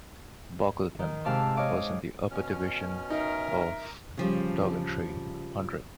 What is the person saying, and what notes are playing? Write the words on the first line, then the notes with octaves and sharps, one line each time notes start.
Bockleton was in the upper division of Doddingtree Hundred.
D#3
G#2 C3 F5 A5 D6 E6
C#5 D#5 F5 D6 D#6
B2 C#4 F6
D#4 A#4 E5
C#3 F3 G3